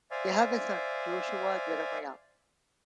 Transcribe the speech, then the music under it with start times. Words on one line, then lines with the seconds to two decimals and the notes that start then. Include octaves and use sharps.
They have a son, Joshua Jeremiah.
0.11 C5 D5 E5 F5 G#5